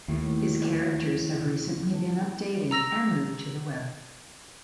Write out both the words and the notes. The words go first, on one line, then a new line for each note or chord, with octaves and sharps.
His characters have recently been updated and moved to the Web.
D#2 A2
A#5 E6 A#6 F7